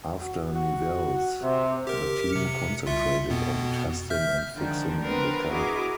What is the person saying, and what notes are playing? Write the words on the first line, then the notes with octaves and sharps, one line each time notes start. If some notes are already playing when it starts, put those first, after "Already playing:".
After Nivelles, the team concentrated on testing and fixing the car.
F#4
F#4
C3
G4 A#4
C3 C#7
C2 F4 E5
F2 B2 B3
E5 F6 G6
D3 D#3 F3 G#3 D4
B3 C4 D4 A#4 B4
E4 F#4 G#4 A#4 D#5 D6